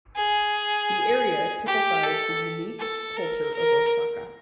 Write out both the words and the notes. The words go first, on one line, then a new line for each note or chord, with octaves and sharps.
The area typifies the unique culture of Osaka.
G#4
G4
A4
A4
A#4
A#4